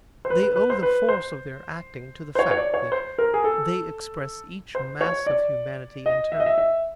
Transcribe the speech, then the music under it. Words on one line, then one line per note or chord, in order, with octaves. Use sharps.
They owe the force of their acting to the fact that they express each mass of humanity in turn.
C5
B4
B4
B4
C5
B4
C5
C5
C#5
C#5
D5
C#5
C5
A#4
G#4
A4
C5
C#5
D5
D#5
E5
D#5
E5
E5